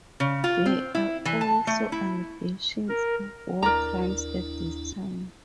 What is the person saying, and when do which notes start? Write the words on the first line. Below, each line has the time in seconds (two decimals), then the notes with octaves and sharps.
There are also allegations of war crimes at this time.
0.20 C#3
0.44 F4
0.66 C4
0.95 E4
1.25 E3
1.41 A5
1.67 A3
1.92 E4
2.89 A#4
3.63 D#2 D4 E4 A#4 D5 A#5